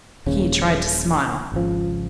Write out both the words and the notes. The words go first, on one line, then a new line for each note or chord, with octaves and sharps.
He tried to smile.
D#1 D#2 C#3 C#4
G#1 C#2 F3